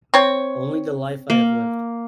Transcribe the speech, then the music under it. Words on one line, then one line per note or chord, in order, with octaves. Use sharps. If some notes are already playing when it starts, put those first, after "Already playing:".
Only the life I have lived.
C4 C#5
A#3